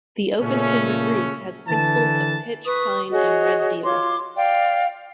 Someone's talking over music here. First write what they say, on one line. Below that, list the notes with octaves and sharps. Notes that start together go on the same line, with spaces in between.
The open timbered roof has principals of pitch pine and red deal.
A#2 C#3 A3 C#4
D3 E3 A5
B4 C#6 D#6
F#4 G#4 C#5 D#5
F4 C#5 C6 D6
D5 F5 G5